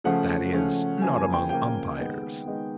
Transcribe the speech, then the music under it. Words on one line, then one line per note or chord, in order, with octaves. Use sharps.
That is, not among umpires.
C#3 F3 A3 C#4 F#5
C#3 F3 A3 C#4
C#3 F3 A#3 G#5
G#5
G5
C#3 F3 A#3 G5
D#3 G#3 B3
D#3 G#3 B3